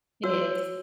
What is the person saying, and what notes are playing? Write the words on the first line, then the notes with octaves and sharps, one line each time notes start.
It is.
F#4 C#5 E6